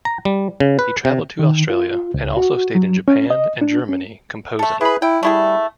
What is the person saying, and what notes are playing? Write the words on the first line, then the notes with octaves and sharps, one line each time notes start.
He traveled to Australia, and also stayed in Japan and Germany composing.
A#5
G3
C#3
B4
C3
D#3
F4
C#2
F#4
F#3
C#4
D#5
D4
C#4
A3 A4
E4 G#4 B4 B5
E4 G5
G3 A3 E4 G#4